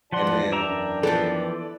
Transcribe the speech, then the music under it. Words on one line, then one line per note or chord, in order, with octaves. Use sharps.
and then,
F3 F4 D5 F#5 A5 C6
E2
F#2 D4 D5 E5 G5 A#5
E3 F3 B3 A4 D5
A4